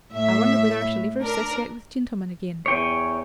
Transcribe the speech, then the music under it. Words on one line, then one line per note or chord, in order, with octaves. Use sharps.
I wonder whether I shall ever associate with gentlemen again?
A2 E5
D4 A#4
E2 C#5 G5 G#5